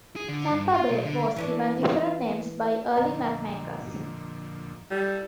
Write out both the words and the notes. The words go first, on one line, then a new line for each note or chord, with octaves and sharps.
Tampa Bay was given different names by early mapmakers.
G#4
D3
G2
F4
B1
D3
E3 C#4 D4
F2 A#2 D3 D#5 A#5
G3 E4 A4